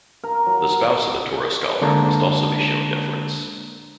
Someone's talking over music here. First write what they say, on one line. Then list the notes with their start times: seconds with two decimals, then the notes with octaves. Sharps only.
The spouse of a Torah scholar must also be shown deference.
0.24 A#4
0.46 F#3
1.82 D3 G#3 A#3 D4 A5 A#5